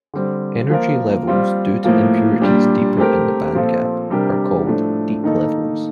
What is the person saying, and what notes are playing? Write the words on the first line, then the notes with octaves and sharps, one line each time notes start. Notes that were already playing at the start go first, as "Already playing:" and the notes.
Energy levels due to impurities deeper in the bandgap are called deep levels.
D3 G3 C4
F3 A#3 F4 A#4
G3 C4 F4
A2 F3 A#3
A#2 G3 D4 G4
A3 C4 G4 A#4
A#2 F3 C4 F4 A4
C3 G3 D4 G4 A#4
A2 F3 A3 D4
D#3 A#3 D#4 A4